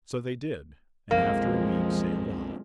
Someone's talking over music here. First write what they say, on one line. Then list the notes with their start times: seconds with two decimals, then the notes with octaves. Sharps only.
So they did, and after a week sailed off.
1.11 B1 F2 F3 G#3 A#3